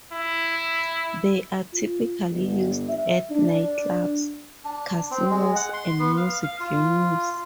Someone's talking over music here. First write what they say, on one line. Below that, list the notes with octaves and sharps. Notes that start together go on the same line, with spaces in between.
They are typically used at nightclubs, casinos and music venues.
E4
F4
G1
E5
D4
D4
C4
G#3
F#5
C6
B3
F5
F5
F4